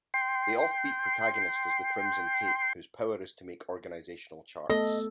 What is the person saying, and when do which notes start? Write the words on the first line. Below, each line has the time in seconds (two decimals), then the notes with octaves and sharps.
The off-beat protagonist is the Crimson Tape, whose power is to make organizational charts.
0.14 G5 C6
4.70 A3 B3 A4 D#5